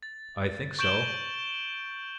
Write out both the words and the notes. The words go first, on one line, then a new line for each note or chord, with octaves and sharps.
I think so.
A6
C#6 G6 D7 E7 F#7 G7